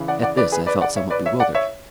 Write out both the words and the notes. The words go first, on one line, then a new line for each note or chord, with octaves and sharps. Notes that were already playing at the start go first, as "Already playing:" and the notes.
At this I felt somewhat bewildered.
Already playing: C#3 E3
D5 F#5
D5 F#5
B4 D5
G#4 B4
B4 D5
D5 F#5
C#5 E5
B4 D5
C#5 E5
D5 F#5
C#5 E5